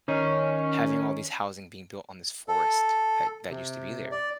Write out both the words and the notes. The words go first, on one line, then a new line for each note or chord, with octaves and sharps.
having all these housing being built on this forest that that used to be there?
D#3 C#4 D#4
A4
C3
D5